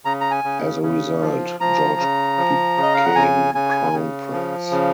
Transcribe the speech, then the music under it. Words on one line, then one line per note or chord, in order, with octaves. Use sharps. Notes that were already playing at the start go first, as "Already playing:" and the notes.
As a result, George became Crown Prince.
C#3 A#5
A#5
G#5
C#3
C#3
F3
F3 A#5
C#3
F3
C#3
D#5
F5
F#5
C#3 G#5
C#3 G#5
C#3
F3
C#3